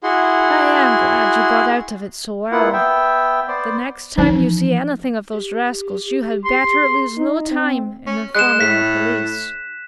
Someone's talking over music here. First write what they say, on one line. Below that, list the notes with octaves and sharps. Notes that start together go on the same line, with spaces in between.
"I am glad you got out of it so well. The next time you see anything of those rascals you had better lose no time in informing the police."
E4 F#4 G#4 F#5 C6
A#3 B3 E4 F4 F#5
B3 E5 G5
B3 C5 D5
E3 F3 C#4 D#4 C5
G4
C6
G#4
D#4
C4
C#4
G#3 F#6 E7
A2 B6